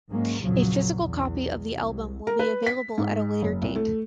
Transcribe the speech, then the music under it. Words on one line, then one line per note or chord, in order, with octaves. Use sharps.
A physical copy of the album will be available at a later date.
G#2 F#3 G#3 A#3 C#4
A#1 E2 A#2 C#3 F3 F#3
B1 E2
C2
A#4
B4
B6
G#2
F#1
C2
A3